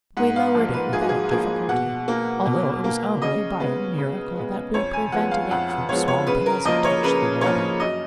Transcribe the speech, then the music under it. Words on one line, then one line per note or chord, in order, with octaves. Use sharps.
We lowered it without difficulty, although it was only by a miracle that we prevented it from swamping as it touched the water.
G#2 F#5
F5
F3 A#3
B4
G#2 G#4
F#4
G#4
F3 A#3 G#4
B2 F#5
A#3
B2
A#3
C#3 D#5
G#3 B3
C#3
G#3 B3
F2 C#5
G#5
F3 G#3 B3 F#5
F5
F2 F#5
F#5
F3 G#3 B3 C#5
C#5
C#3 B4
A#4
F3 A#3 D#5
C#5
C#3 B4
F3 A#3 C#5
F#2 D#5